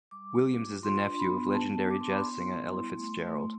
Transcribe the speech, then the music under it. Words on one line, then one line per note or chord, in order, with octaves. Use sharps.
Williams is the nephew of legendary jazz singer Ella Fitzgerald.
G3 D6
G3
F4
F4 C6
D4
B5
B3
B3 A5
D4
D6
B3 C6
B5
C6
E4
G3
E4
A3
A3